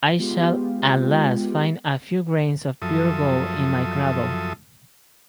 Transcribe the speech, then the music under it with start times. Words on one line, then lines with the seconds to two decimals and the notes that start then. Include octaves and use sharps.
I shall at last find a few grains of pure gold in my cradle.
0.19 G#3 B3 F4 G4
2.82 F#2 F3 A4 E5 D#6